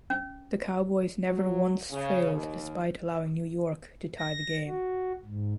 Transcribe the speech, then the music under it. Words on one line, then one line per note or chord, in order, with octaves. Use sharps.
The Cowboys never once trailed despite allowing New York to tie the game.
C#4
F#3
C#3
D#2
A#6
F#4
G#2